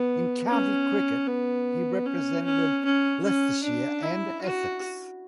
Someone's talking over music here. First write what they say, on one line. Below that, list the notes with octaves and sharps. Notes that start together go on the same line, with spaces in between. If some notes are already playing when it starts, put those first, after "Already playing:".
In county cricket he represented Leicestershire and Essex.
Already playing: B3
C#4
B3
C#4
C#4
C#4
C#4
D4
E4
F#4